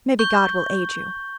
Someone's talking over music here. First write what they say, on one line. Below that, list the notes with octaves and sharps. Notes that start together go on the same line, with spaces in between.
Maybe God will aid you.
C#6 G6 G7